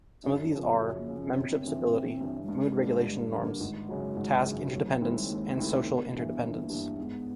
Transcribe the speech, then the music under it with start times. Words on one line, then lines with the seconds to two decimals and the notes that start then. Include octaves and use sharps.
Some of these are: membership stability, mood-regulation norms, task interdependence and social interdependence.
0.24 F#2 D4
0.43 D4
0.52 C#3 F3
0.61 B3
0.80 F#2
0.98 A#3
1.08 C#3 F3
1.17 C#4
1.36 G1 C4
1.65 G2 E3
1.92 G1
2.20 G2 E3
2.43 G3
2.48 G2 G#3
2.77 D3 G3 A#3 D4
3.04 G2
3.33 D3 G3 A#3 D4
3.60 G#1 G#3
3.89 F#2 C#3 F#3
4.17 G#1
4.45 F#2 C#3 F#3
4.72 D#2 G3
4.87 F#3
5.01 D#3 F#3 G#3 C4 E4
5.15 G3
5.29 D#2 G#3
5.57 D#3 G#3 A3 C4 E4
5.85 G1 A#3
5.95 B3
6.05 A#3
6.14 G2 E3 B3
6.24 A#3
6.33 B3
6.42 G1 A#3
6.53 B3
6.63 A#3
6.70 G2 E3
6.98 G#2 B3